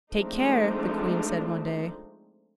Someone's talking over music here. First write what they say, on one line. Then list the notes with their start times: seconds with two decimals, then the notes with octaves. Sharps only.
"Take care," the Queen said one day.
0.13 F3 G#3 A3 C4 D4 D#4